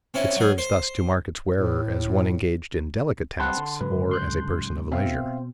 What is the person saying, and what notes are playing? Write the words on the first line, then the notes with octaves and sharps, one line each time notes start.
It serves thus to mark its wearer as one engaged in delicate tasks or as a person of leisure.
C4 C#4 E4
F#3 G#4
C5
A2
G3 C4 B4 F#5 A5 C6
D3
G#2 C#3 F#3 B4
C6 F#6 G6
B2 C4 E5 F5